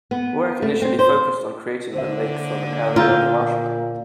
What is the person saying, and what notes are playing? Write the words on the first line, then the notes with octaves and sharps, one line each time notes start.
Work initially focused on creating the lake from an area of marshland.
B3
A3
C4
C5
D3 A#3 C5 E5
A#2 C4 F4 A#5 E6 G6